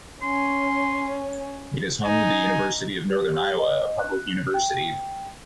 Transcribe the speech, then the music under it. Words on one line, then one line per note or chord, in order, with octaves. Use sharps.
It is home to the University of Northern Iowa, a public university.
C#4 C6
D#4 G#5
G4
D#5
F#6
G5